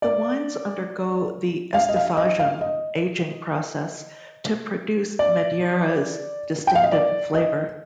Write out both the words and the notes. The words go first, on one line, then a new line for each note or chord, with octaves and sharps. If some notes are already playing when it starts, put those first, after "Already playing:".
The wines undergo the "estufagem" aging process to produce Madeira's distinctive flavor.
D5
F5
D#5
F5
D#5
F5
D#5
D5
G5
F5
D#5
D5
D#5